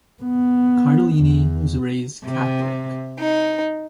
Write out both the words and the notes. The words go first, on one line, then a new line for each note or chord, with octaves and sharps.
Cardellini was raised Catholic.
B3
E2
C3
D#4